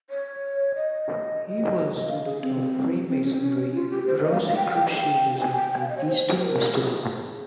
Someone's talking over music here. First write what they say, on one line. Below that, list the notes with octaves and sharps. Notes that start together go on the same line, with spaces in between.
He was a student of Freemasonry, Rosicrucianism, and Eastern mysticism.
C#5
D#5
F5
G#4
C4
C4
C#4
C4
C#4
F4
G4
C5
D#5
F5
F5
G5
F5
G5
G5
G#5
G5
G5
F5
D#5
C#5
C5
C5
A#4
G#4